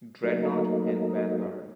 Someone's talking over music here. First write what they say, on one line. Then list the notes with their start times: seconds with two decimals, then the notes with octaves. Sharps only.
"Dreadnought" and "Vanguard".
0.23 F#3 A3 A#3 D#4